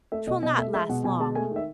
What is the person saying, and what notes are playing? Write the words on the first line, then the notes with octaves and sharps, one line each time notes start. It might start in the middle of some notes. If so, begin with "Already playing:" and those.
'Twill not last long.
A3 E5
B2 D#5
B2 D#5
A3 E5
G#3 E5
B2 F#5
B2 G#5
G#3 A5
A3 G#5
D#3 E5